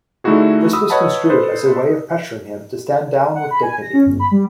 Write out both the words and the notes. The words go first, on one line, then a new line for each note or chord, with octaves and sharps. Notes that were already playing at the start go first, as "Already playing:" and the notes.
This was construed as a way of pressuring him to stand down with dignity.
D3 A3 D#4 E4 F#4 G#4
F#4 B5 D#6 E6
B4 C#5 D#5 F#5 A5 B5
A4 B4 C5
F#5
B5
G#5
A#6
C#4
G1
B5
G3